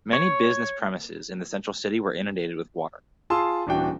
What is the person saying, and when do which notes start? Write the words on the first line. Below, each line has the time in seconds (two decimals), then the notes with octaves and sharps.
Many business premises in the central city were inundated with water.
0.13 C#5
3.30 F4 G#4 A5 C6 E6
3.67 D#1 E3 D4 F#4 G5